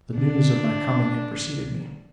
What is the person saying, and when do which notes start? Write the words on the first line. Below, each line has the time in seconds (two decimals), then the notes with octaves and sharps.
The news of my coming had preceded me.
0.18 D3 D4